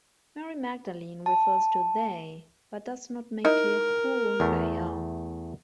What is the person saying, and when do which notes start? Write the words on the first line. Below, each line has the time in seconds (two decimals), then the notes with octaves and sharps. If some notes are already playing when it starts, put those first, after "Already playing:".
Mary Magdalene refers to "they", but does not make clear who they are.
1.26 A5
3.45 D#4 E4 A#4
4.40 E2 A3